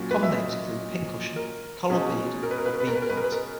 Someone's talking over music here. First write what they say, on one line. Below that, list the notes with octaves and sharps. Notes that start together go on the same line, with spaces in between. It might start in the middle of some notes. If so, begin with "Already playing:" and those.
Common names include pincushion, coral bead or bead plant.
Already playing: A#2 F#3 C#4
B4
E5
D#5
A#4
B2 G#3 C#4
A#4
B4
A#4
B4
A#4
B4
A#4
B4
A#4
B4
A#4
B4
A#4